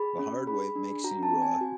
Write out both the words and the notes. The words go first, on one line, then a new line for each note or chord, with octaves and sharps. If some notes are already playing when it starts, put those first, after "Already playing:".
the hard way makes you, uh,
Already playing: G#4 B5
C#4
G#4 B5
D4
F#4 A#5
A5
C4
G#5
F#4